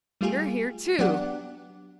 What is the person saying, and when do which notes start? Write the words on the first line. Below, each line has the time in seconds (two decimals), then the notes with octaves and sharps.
You're here, too!
0.21 G3 A3 F4 G4 G#4
0.99 F#3 B3 D4 G4 D5 F#5